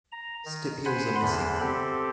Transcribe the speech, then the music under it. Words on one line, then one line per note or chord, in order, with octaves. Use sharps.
Stipules are missing.
A#5
D#3
C5 F#5 G#5 B5 C6
E2 D3 C5 B5
C4 G4 A4